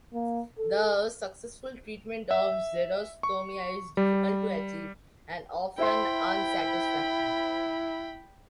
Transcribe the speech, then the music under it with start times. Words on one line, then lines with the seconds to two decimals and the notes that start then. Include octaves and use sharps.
The successful treatment of xerostomia is difficult to achieve and often unsatisfactory.
0.14 A#3
0.58 A4
2.31 E5
3.23 C#6
3.97 G3
5.78 E4 C5 E5 G5 B5 C6